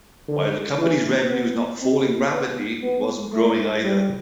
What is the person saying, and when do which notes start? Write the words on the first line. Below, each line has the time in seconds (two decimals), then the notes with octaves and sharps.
While the company's revenue was not falling rapidly, it wasn't growing, either.
0.28 D3
0.79 E3
1.30 B3
1.81 C4
2.31 B3
2.83 B3
3.33 A3
3.84 G3